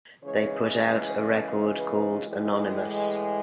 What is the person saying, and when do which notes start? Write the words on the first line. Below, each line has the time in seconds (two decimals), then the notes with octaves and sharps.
They put out a record called Anonymous.
0.24 C#3 E3 G#3 C#5
1.26 A4
1.76 B4
2.27 A2 E3 G#3
2.78 B4